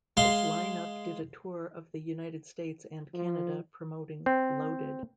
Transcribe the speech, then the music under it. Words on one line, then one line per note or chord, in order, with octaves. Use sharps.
This line-up did a tour of the United States and Canada promoting "Loaded".
G#3 F5 C6
F3
C4